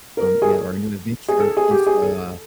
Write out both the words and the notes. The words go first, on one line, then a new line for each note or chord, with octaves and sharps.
um, yeah, or a new adventure, and so, uh,
A#4
G#4
A4
G#4
A4
G#4
G4
G#4
A4